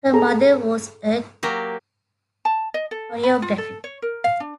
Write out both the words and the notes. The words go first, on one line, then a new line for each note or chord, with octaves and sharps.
Her mother was a choreographer.
G#4 A4 A#5
F#3 A#3 G4
A5
D#5
A4
B5
F4
A4
C#5
A#4
F5
D4